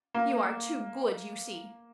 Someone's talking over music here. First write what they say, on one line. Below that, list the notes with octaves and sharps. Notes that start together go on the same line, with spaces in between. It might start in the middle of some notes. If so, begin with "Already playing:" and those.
You are too good, you see!
A#3